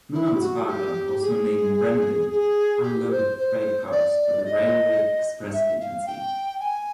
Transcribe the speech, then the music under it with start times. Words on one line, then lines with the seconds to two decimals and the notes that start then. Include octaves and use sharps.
Malone's father, also named Brendan, unloaded freight cars for the Railway Express Agency.
0.13 E4
0.35 G4
0.40 F#4
0.64 G#4
0.67 G4
1.21 G#4
2.30 G#4
2.82 G4
3.10 C5
3.37 C5
3.86 C#5
3.91 D5
4.44 D#5
5.53 E5
5.79 F5
6.06 G5
6.60 G#5